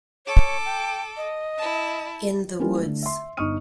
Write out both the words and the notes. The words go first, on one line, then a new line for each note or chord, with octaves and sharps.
In the woods.
A4 C#5 D6
G5
D#5
E4 A5
G3 A#3 C#4 E4 F4 G4
D3 A3
E5 C6
G1 D#4 C#6 D#6 F6 D#7